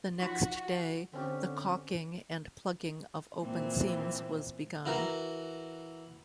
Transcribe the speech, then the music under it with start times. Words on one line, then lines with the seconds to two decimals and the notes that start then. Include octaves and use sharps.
The next day the caulking and plugging of open seams was begun.
0.20 F3 D#4 F4 F#4
1.13 D3 C4 C#4 G4
3.42 A#2 E3 C4
4.85 E3 F#4 A#4